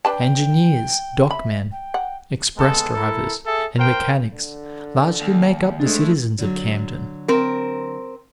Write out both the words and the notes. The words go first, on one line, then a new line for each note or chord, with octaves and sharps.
Engineers, dockmen, express-drivers and mechanics largely make up the citizens of Camden.
D4 B4 G5 A5
E5 B5
G5
F#5
G#3 B3 A4
E4 A4 A#4
G#4 A4 E5
A#4 C5 G5
D3
D#2
F2 G#3 A3 D4
D3 F#3
C4 A#4